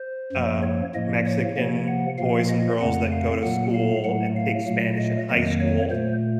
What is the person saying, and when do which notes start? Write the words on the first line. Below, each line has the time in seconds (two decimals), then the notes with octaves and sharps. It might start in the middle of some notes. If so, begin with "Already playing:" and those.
um, Mexican boys and girls that go to school and take Spanish in high school.
Already playing: C5
0.32 F#2 F3 A#3
0.63 C#5
0.94 A2 F3 A#3 D#5
1.25 C#5
1.56 C3 F3 A#3
1.88 F#5
2.18 A#2 F3 A#3 F5
2.49 D#5
2.80 F2 C#3 A3 F#5
3.12 F5
3.43 A#2 F#3 A#3 F#5
3.74 F5
4.04 A2 F#3 A3 F#5
4.36 F5
4.67 A#2 F#3 A3
4.98 D#5
5.29 F2 D#3 F#3 A#3 D#5
5.60 C#5
5.91 A#2 A3 C5